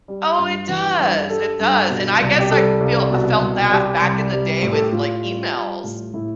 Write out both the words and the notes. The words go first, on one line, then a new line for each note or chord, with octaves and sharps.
Oh, it does, it does, and I guess I feel I felt that back in the day with, like, emails,
G3
G2
E3
G2
G3 A4
G2
B2
C2
G4
G3 A4
C2
B2
C2
G3 G4
C2
G3
A2
A4
G4
A2 F4
G3
G3
A2
A2 E4